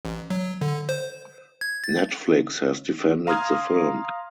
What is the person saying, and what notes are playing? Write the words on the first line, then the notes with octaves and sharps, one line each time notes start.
Netflix has defended the film.
A1
F#3
D3
C5
G#6
A6
F5 A#5 C6 D#6 F6 G#6